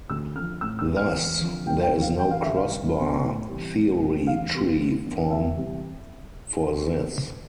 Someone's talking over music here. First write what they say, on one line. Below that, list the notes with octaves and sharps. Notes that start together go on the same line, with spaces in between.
Thus, there is no X-bar Theory tree form for this.
D2 E6
D3 F3 F6
A2 E6
E6
G3 B3
F6
E2
D3 F3 C4
C2 G5
G5
C3 F3
F5
E2 G5
F5
D3 G3 E5
F5
C2
B2 B3 D4
A2
E3 G3 C4
C2
B2 G3 C4
E2 F5
C3 G3 B3
C3
E3 B3 D4
D2 E5
C3 E3 G3 C4